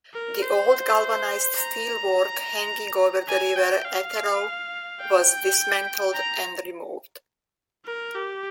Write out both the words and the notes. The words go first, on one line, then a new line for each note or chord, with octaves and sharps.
The old galvanised steelwork hanging over the River Etherow was dismantled and removed.
A#4
C5
A#5
G#5
G5
F5
G5
A#5
A#4
G4